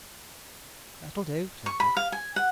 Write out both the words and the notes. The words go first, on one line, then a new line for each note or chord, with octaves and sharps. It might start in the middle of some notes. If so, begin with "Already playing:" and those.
"That'll do," said Pratt.
C#6
B5
F5
G#5
F#5